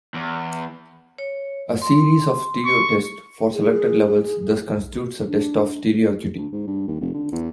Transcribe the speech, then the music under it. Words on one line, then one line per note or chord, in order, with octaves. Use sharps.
A series of stereotests for selected levels thus constitutes a test of stereoacuity.
E2
C#5
C6
C#6
G#4
D4
D2
G#2
G2
D#2
F1
D3
E2